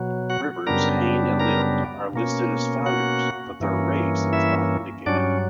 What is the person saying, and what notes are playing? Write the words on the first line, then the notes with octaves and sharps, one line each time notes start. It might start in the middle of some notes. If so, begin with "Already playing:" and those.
Rivers, Hayne and Leeld are listed as founders but their race is not indicated.
Already playing: B2 F#3
F#4 F#5
F#2 C#3 G3 B3 D4 A#4 A#5
A#4 A#5
B2 A#3 C#4
F#4 F#5
G2 E3 A#3 C#4
E4 E5
G2 F#3 C#4 D4 D5